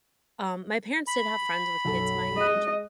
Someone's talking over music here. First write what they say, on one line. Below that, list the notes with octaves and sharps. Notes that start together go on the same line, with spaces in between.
um, my parents did have friends with kids my age,
B5
B1 F#2 A4
G#3 D#5 F#6